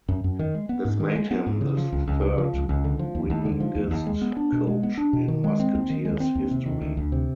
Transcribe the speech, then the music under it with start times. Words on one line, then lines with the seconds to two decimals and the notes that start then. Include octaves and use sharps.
This made him the third winningest coach in Musketeers’ history.
0.08 F#2
0.24 F#2
0.39 D#3
0.55 G#3
0.69 B3
0.85 G#2
1.00 D#3
1.16 G#3
1.31 B3
1.46 G#2
1.61 C#3
1.77 F3
1.92 C#2
2.07 C#2
2.22 C#3
2.38 F3
2.54 C#2
2.69 C#2
2.84 D3
2.99 F3
3.15 D#2
3.30 D#2
3.45 D3
3.60 F3
3.75 D#2
3.91 D#2
4.07 G#3
4.22 B3
4.37 D4
4.52 B2
4.67 G#3
4.83 B3
4.98 D4
5.13 B2
5.28 D#3
5.44 G#3
5.60 C4
5.75 D#2
5.90 D#3
6.05 G#3
6.20 C4
6.35 D#2
6.51 C3
6.66 D#3
6.81 D2
6.97 D2
7.12 C3